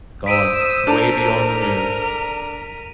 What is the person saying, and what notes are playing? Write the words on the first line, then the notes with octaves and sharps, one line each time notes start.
gone way beyond the moon
C5 D#6 E6 B6 D7 D#7
D4 A4 A#4 A#5